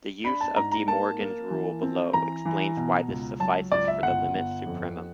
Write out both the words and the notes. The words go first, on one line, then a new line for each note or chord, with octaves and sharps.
The use of DeMorgan's rule below explains why this suffices for the limit supremum.
D4 B5
A5
G#2 A#5
A#5
A#3 A5
A#3
E3
C4
E3 A#5
E3
B2
C#2
F#3 A5
C#2 D5
E5
G1 F#5
G1
F2